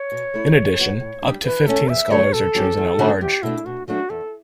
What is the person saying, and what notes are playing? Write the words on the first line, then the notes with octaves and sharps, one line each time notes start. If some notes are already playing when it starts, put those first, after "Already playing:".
In addition, up to fifteen Scholars are chosen at-large.
Already playing: C#5
B2
A3 E4
A2
F#3 B3 F#4
A2
G3 D4
E3 B4
A3 C#4 A4
E2 E5
D3 F#3 A3 C#5
B2 A4
F#3 C#4 G4
E2
D3 A3 C#4 F#4
E2 G4
B2 A3 D4 E4
B2 F#4
F#3 A3 D4 F#4
E2 A4